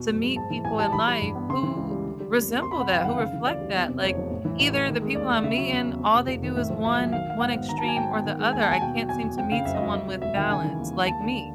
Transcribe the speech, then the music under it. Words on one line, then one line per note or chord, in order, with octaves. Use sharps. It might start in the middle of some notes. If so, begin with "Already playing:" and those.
to meet people in life who resemble that, who reflect that, like, either the people I'm meeting, all they do is one one extreme or the other I can't seem to meet someone with balance like me.
Already playing: E2 B2
F#1
G#3
G#2 A5
E3
A1 G#5
G3 A5
E3 B5
G3
G2
B3
C#3 C6
E3
C#2
G3
D3
G3
F2
A#3
F2 C6
B5
C3 F#5
F#1 G5
F5
D#3 F#5
C#3 F5
E3
D2 D5
G3
E2
C3
F1 C#5
F3
A2
E3
A1
A3
D#3
G#3
D#2 D5
D#2
C#3 E5
F#3
E2
E2
F2
C3
F1
D#3
A2 E5
F3
B1 E5
B1
D#3 F5
F#3 F5
G#2 F#5
B3
D#3 A#5
A5
F#3
G#5
G#2 G5
B3
D#3
G#3
D#2 G#5
A5
D#2 G#5
B2 G5
F#3
E2 G#5
E2
F2 G5
C#3 F5
F#1 E5
D#5
F#3 E5
D2
C3
E1 E5
D#3 G5
C#3 G#5
E3
D#2
D#2
D#2 A5
D3